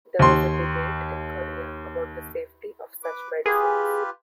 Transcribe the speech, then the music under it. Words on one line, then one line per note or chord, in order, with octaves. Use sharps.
There was a debate in Korea about the safety of such medicines.
D#2 C6
B4 D6
F4 G4 G#4 B4